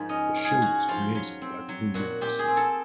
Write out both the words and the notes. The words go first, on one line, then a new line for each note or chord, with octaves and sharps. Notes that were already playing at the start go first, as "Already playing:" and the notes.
The show was created by Paul Mendelson.
Already playing: G#2 F3 A#3
C#4 D#5
C#4
G#4
C#4 F#4
F3 F4
F#3
C4
F#3
A#2 F#4
A#2 G4
G#4
C4
A4